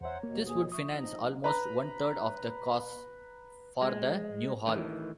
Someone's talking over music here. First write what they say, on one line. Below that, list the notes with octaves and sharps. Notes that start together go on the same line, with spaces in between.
This would finance almost one third of the costs for the new hall.
E2 C5 C#5 E5 F#5 A#5
D#2 B2 A#3
G#4 G#5 D#6
E5 C#6 D#6
F3 D#4 D#5
C3 F#3
B4 A#5
G#3
A2 D#3 E3